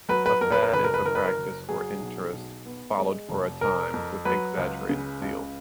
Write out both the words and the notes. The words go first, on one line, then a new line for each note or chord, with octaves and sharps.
A fad is a practice or interest followed for a time with exaggerated zeal.
F#3 B4
B4
F2 A#4
B4
A#4
F#1 B4
A#4
B4
F#1 A#4
B4
A#4
F#1
F#3 G#4
B1
B1
B3
G#3
F1
F1 A#4
F2
F#3 B4
C#2
C#3
C#2